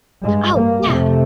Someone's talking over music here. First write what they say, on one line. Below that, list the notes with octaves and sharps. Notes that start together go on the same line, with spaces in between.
Oh, yeah!
G2 G#3
A#3
F2 C3 A3